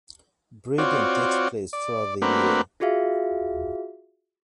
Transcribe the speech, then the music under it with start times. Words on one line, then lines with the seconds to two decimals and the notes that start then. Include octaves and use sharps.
Breeding takes place throughout the year.
0.78 C4 F4 F#4 C#5 D5
1.73 D5
2.22 A3 A#3 C4 D4 F#4 B4
2.80 F4 F#4 G#4 E5 F5